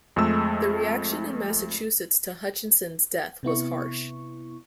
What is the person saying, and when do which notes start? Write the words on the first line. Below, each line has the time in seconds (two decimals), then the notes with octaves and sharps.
The reaction in Massachusetts to Hutchinson's death was harsh.
0.16 F2 G#3 A3 E6
3.43 C3 B3 E4 C#6